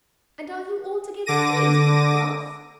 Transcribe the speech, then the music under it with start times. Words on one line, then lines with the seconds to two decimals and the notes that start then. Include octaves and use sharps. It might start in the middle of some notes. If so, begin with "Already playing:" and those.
"And are you altogether pleased with Bath?"
1.26 D3 D6 A#6 D#7